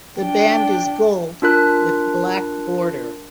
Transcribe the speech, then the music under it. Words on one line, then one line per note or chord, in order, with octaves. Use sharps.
The band is gold with black border.
D4 G5
D4 F4 A#4 F#6